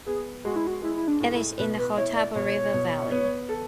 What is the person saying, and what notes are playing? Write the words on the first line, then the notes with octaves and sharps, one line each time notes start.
It is in the Hautapu River valley.
B3 G#4
G#3 F#4
E4
F#4
G#3 E4
E4
D4
A2
E4
B2 B4
B4
E4 C#5
D5
B2 C#5
B2
B3
A4